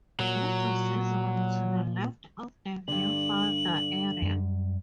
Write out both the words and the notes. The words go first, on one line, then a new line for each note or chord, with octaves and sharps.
This was visible to the left of the viewfinder area.
A#2 F#3
G2 D3 F#7
F#2 G3